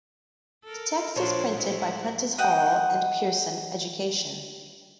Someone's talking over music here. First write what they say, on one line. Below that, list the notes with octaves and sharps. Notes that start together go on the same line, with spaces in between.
The text is printed by Prentice Hall and Pearson Education.
A4 A#4
A#2 F3 D4 A4 C5 C#5
A2 G#3 E4
D#5 F#5 G5